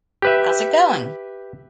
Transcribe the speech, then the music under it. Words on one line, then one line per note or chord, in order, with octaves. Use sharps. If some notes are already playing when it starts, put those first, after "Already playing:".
How's it going?
G4 B4 E5